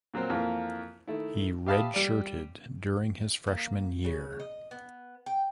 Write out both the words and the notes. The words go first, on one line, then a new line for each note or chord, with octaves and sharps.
He redshirted during his freshman year.
A#2 F#3 A#3 C4
F2 E3 A#3
D#3 A3 E4
G4 E5 F5 A5 B5 D#6
G3 D5
A#3
C#3
D#5
B3
G5